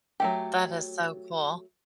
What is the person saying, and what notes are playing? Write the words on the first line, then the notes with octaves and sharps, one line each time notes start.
That is so cool.
F#3 A3 G4